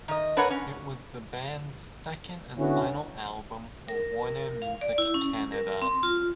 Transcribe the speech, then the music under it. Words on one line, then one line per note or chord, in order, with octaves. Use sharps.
It was the band's second and final album for Warner Music Canada.
D#3 D#5
D4 A#4 B4 C#5 F#5
C#4
D3 B3 C#4 E4 F#4
A#4
F5
D5
E4
C#4
A#4
C4
F4